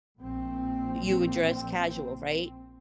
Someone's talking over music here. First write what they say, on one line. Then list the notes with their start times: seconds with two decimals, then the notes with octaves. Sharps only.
you would dress casual, right?
0.18 A#1 A#2 C4